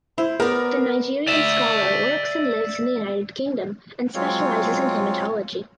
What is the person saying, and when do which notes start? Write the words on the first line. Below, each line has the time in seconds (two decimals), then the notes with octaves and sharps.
The Nigerian scholar works and lives in the United Kingdom and specialises in Hematology.
0.18 E4 C5
0.40 B3 A#4 D5
1.27 D5 E5
4.15 F#3 G#3 C4 F4 C#5